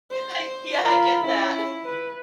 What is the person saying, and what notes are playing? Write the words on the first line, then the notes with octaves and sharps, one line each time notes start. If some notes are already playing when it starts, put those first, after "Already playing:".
I yeah, I get that.
C5
F4 A#4 B5
C#4 E4
B4